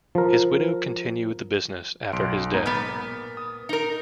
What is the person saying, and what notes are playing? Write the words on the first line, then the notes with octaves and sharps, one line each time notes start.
His widow continued the business after his death.
F3 A#4
B1 C6 D7
G#2 B3 A#5
A#2 B3 F6 A6
D#6
D#4 A#4